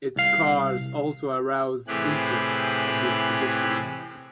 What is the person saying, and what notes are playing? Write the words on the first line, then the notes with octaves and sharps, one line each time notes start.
Its cars also arouse interest at the exhibition.
C2 F5
A2 C3 E3 G4 G#4 F#6